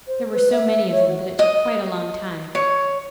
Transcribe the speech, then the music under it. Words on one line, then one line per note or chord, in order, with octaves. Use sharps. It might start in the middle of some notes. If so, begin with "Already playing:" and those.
There were so many of them that it took quite a long time.
C5
B4
E5
C#5
F#4
D#5
C#5